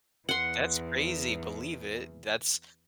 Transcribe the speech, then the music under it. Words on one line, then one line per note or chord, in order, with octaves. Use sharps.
That's crazy, believe it, that's
E2 F#5 C6